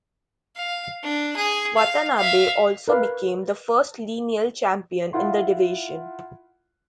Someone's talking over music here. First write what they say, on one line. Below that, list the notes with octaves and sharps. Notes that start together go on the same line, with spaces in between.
Watanabe also became the first lineal champion in the division.
F5
D4
G#4
F5
E5 F5
A#4 B4 F5
E4 F4 F#5 C6